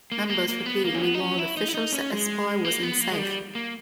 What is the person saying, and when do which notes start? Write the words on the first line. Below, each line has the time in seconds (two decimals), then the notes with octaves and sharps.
Members repeatedly warned officials that the spire was unsafe.
0.12 A#3
0.25 G#3
0.29 A#3
0.48 A#3
0.66 B3
0.85 A#3
0.95 C#4
1.02 B3
1.14 D#4
1.20 C#4
1.38 E4
1.57 D#4
1.68 E4
1.74 D#4
1.92 C#4
2.11 G#3
2.64 A#3
2.83 B3
3.01 A#3
3.12 G#3
3.18 G3
3.55 A#3